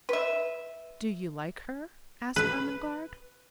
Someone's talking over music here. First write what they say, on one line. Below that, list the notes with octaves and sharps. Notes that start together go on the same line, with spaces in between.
"Do you like her?" asked Ermengarde.
B4 E5
B4